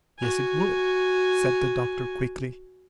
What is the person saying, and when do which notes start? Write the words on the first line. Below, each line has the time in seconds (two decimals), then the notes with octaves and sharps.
"Yes, it would," said the Doctor quickly.
0.19 F#4 G#5